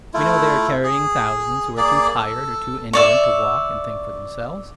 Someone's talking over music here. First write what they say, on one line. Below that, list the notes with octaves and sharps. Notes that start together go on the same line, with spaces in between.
We know they are carrying thousands who are too tired or too indolent to walk and think for themselves.
A3 E4 F4
G#4
A#3 G#4 D5
A4
C#5 D5 E5